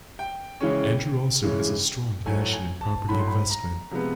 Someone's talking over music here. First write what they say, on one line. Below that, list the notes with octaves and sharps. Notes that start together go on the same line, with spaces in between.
Andrew also has a strong passion in property investment.
G5
C#3 E3 G#3 C#4
C#3 E3 G#3 C#4
A2 F#3 A3 G#5
G#5
A5
A2 F#3 A3 B5
C6
B5
A#5
C3 F3 G#3 B3